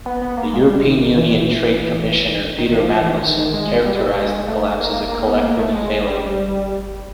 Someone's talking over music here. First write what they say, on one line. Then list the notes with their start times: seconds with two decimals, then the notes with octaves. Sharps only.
The European Union Trade Commissioner Peter Mandelson characterized the collapse as a "collective failure".
0.06 B3
0.22 B3
0.37 A#3
0.53 G#3
0.69 G3
0.85 D#3
1.17 E3
2.59 D#3
2.80 F3
3.01 E3
3.22 D#3
3.53 G#3
3.85 G3
4.17 G#3
4.48 A3
4.80 A#3
5.12 A#3
5.28 B3
5.43 A#3
5.59 A3
5.75 G#3
6.06 G3